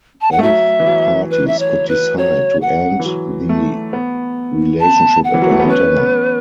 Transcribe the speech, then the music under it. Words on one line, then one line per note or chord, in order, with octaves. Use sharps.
Both parties could decide to end the relationship at any time.
A5
F#5
A3
F#3 E5
E3
F#3
B4
E5
C#5
B4
F#3 C#5
F#5
E3
F#3
A3
B3
A5
F#5
E3
F#3
A3
B3
C#4 B4
B3